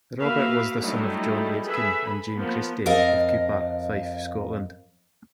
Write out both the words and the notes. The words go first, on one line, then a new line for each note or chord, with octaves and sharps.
Robert was the son of John Aitken and Jane Christie, of Cupar, Fife, Scotland.
A#3 F#4 A#4 B4 E5 F5
D3 F#3 G3 A3 D#4 E4
G#4 A4 B4 E5
B5
F3 A#3 B3
F2 A#4 D#5 F5